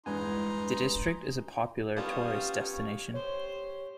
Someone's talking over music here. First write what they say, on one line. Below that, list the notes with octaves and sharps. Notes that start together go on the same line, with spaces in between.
The district is a popular tourist destination.
E2 G2 G#3 D4 D#4 B4 G#5 C6
G3 B3 C#4 F4 G4 F5 A5 D#6
G4 C5 C#5